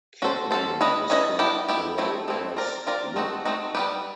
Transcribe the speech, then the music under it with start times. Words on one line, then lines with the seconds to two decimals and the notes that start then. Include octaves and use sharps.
Kipling described the road as::Look!
0.22 C#4 F#4 A4 C5
0.51 C#4 F#4 A4 C5
0.81 C#4 E4 G#4 B4 D#5
1.10 C#4 E4 G#4 B4 D#5
1.39 B3 E4 G4
1.68 B3 E4 G4
1.98 F3 A3 C4 E4
2.28 F3 A3 C4 E4
2.57 C4 F4 A#4 D5
2.87 C4 F4 A#4 D5
3.16 A3 C4 D#4 F#4
3.45 A3 C4 D#4 F#4
3.75 G3 B3 E4 G4 B4